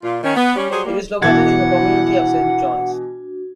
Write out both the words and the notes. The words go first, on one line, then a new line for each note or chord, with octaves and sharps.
It is located in the community of Saint Johns.
A#2 F4
D#3 C#4
B3
G3 C#4
F#3 G3 G#4 C5
G3 A#3
B2 E3 D4 E4 F#4 F#5 G#6